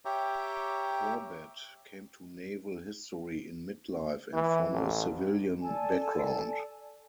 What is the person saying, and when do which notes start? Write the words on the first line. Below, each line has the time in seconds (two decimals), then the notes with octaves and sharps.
Corbett came to naval history in mid-life and from a civilian background.
0.05 G4 C#5 E5 G5 A#5 D6
4.34 E3
4.73 A1
5.61 A4 D5 G#5 A5